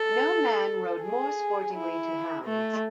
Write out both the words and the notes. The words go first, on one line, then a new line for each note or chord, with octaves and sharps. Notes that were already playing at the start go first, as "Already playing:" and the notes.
No man rode more sportingly to hounds.
Already playing: A4
G#4
E4
A3